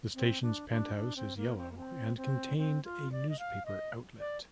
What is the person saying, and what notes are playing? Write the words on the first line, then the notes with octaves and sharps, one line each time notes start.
The station's penthouse is yellow and contained a newspaper outlet.
C4
D4
D4
D4
C4
A#3
C4
A#3
C4
C4
C4
F4
D5
D#5
F5
D#5
D5